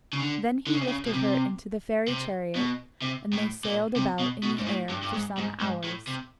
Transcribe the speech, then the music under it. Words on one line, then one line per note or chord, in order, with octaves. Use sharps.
Then he lifted her into the fairy chariot, and they sailed about in the air for some hours.
C#3
D3
D3
C#3
C3
C#3
B2
C3
C3
B2
C3
A2
A#2
C3
B2
B2
G#2
A2
G2
G2
G#2
G#2
G#2
A2
C3